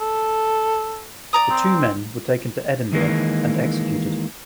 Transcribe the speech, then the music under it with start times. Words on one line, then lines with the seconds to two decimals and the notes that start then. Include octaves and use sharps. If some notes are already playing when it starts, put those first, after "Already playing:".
The two men were taken to Edinburgh and executed.
0.01 A4
1.33 D5 A#5 D#6
1.50 C4
2.93 D#3 E3 G#3 A#3